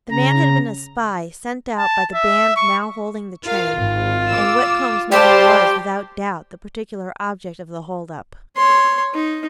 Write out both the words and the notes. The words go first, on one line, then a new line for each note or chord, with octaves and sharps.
The man had been a spy sent out by the band now holding the train, and Whitcomb's money was without doubt the particular object of the hold-up.
C#3 A#5
A5
E5
C#6
F4 A#4 F5
G#1
D6 E6
G3 G4 C5 F5 A5 C6
C#5 C6
D#4